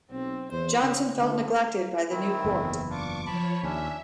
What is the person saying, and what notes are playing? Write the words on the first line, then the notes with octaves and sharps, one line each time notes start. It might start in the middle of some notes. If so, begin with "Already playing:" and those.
Jonson felt neglected by the new court.
B1 C4
E2 C5
C#3 C#4
D3 A3
D#3 C4 E4
F#1 E2 B3
D4 F4 C#6 D6
F3 C#5 A5 B5
D#2 C#4 D4 E5